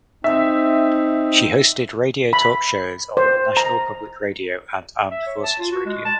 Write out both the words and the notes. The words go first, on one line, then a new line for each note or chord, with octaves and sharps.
She hosted radio talk shows on National Public Radio and Armed Forces Radio.
C4 D#4 E5
B5
C5
A#5
E5
C#5
A5
F4
F#4
G#3
A5